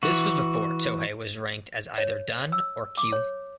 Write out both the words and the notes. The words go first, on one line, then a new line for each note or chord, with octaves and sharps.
This was before Tohei was ranked as either dan or kyu.
E3 F#4
C#5
E6
D6
C#5